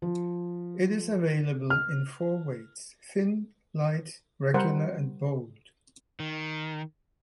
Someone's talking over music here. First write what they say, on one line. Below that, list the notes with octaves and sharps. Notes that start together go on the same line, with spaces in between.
It is available in four weights: thin, light, regular and bold.
F3
F6
G3 A#4 C5 F#5 B5
D#3